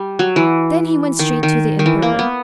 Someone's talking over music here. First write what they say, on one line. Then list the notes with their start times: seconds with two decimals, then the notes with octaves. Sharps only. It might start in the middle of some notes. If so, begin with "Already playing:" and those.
Then he went straight to the emperor.
Already playing: G3
0.19 F#3
0.36 E3
1.19 D#3
1.43 D#3
1.79 D#3
1.86 E3
2.02 A#3
2.19 B3